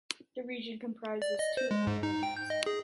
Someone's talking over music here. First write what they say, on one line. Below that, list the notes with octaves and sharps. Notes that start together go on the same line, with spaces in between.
The region comprises two areas.
D5
D#5
C5
G#3
G#2
D#4
G5
G6
D#5
G#4